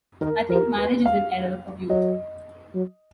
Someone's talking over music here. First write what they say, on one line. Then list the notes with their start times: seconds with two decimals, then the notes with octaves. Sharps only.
I think marriage is an error of youth.
0.21 D#3 A#4
0.49 F3 A#4
0.78 B4
1.05 F5
1.89 F#3 D#5
2.75 F#3